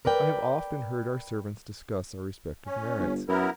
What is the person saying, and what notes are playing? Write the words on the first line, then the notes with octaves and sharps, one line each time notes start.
I have often heard our servants discuss our respective merits.
A#4 B4 D5 G5
C#4
G1
F#2 B3 E4 A#4